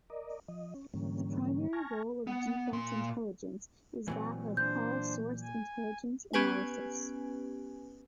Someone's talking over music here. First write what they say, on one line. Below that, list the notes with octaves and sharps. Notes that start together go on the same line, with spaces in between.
The primary role of Defence Intelligence is that of 'all-source' intelligence analysis.
A#4 D5 D#5
F3 D#5
C#4
G#2 D3 E3 G3 A#3 C#4
G#5 A5 C#6 F6 G#6 A#6
B3
A#2 C6
A#2 E3 F#3 A3 C4
A#2 D4 C5 G6
G#5
B3 C#4 G4 B4 G#5